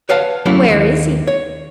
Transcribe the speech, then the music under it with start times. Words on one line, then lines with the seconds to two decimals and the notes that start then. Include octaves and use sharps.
"Where is he?"
0.09 B4 C#5 F5 F#5 A5
0.46 F#3 A3 A#3 C#4 E4
0.69 D#2
1.27 C#5